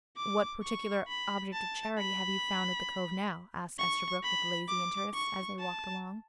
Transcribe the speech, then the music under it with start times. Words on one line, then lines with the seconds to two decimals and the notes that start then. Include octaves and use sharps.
"What particular object of charity have you found at the Cove now?" asked Esterbrook, with lazy interest, as they walked along.
0.17 D6
0.63 C#6
1.07 B5
1.53 A5
1.98 B5
3.79 C#6
4.23 B5
4.68 D6
5.14 C#6
5.59 A5